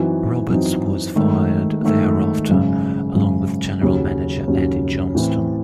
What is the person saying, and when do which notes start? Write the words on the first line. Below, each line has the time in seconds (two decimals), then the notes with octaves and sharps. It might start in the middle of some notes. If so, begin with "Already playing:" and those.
Roberts was fired thereafter, along with General Manager Eddie Johnston.
Already playing: F#2 E3 C4 D#4 F#4
0.49 F#2 E3 C4 D#4 F#4
1.16 G#2 D#3 A3
1.83 G#2 D#3 A3
2.49 G#1 F#2 C#3
3.15 G#1 F#2 C#3
3.81 D#2 C#3 F#3 C#4
4.48 D#2 C#3 F#3 C#4
5.15 A2 E3 C4